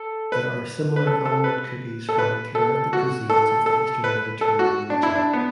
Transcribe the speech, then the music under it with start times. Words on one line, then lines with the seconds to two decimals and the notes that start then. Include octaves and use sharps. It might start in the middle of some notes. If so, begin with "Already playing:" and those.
There are similar almond cookies found throughout the cuisines of the eastern Mediterranean region.
Already playing: A4
0.32 B4
0.96 B4
1.07 A4
1.26 A4
1.44 B4
2.09 A4
2.18 B4
2.55 A4
2.93 F#4
3.30 A4
3.66 A4
4.04 B4
4.41 A4
4.59 F#4
4.90 D4
5.03 E4
5.16 D4
5.33 B3